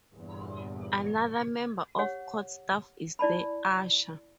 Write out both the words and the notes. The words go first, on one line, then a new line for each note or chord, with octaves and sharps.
Another member of court staff is the usher.
G1 E2 A#2
G4 C#5 F#5
E4 D5 A5 B5